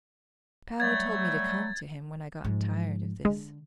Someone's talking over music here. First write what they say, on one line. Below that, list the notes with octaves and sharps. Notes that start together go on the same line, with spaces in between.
Power told me to come to him when I got tired of this.
F#3 G3 A3 G#6 A6
G#2 F3
D3 G#3